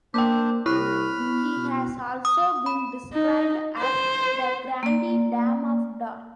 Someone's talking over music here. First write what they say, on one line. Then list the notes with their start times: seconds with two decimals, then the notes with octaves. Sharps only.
He has also been described as "the grande dame of drag".
0.14 A#3 D4 C5 G5 D6
0.66 C2 E4 B5 C#6 F6 F#6
1.18 B3
1.56 B2
2.25 D#6
2.66 B5
3.13 D#4
3.79 C5
4.83 A#3 D5